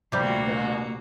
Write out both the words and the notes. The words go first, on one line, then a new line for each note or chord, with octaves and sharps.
and, um,
D2 C3 G3 A#3 F#4